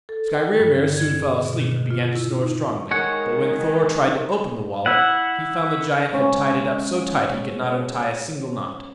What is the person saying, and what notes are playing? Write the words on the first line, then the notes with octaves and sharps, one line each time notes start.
Skrymir soon fell asleep and began to snore strongly; but when Thor tried to open the wallet, he found the giant had tied it up so tight he could not untie a single knot.
A4
G5
G2
D3
G#6
G#4
B2
D#3
F4
E4
D#4
D#3 G#3 C#5 F#5
E4 F#5
G#2 C#3 C#4